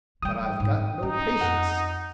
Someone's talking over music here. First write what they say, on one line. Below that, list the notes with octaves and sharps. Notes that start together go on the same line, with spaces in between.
"But I've got no patience."
E3 G3 G5 D#6
G#2
C#4 D#4
F2 F#5